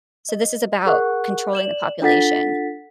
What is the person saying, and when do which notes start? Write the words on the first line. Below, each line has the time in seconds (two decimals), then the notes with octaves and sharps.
So, this is about controlling the population.
0.29 D#5
0.86 G#4 A#4 F#5 C#6 F#6
1.53 D5 E7 F#7
2.02 D4 F4 A4 F#5 A6 B6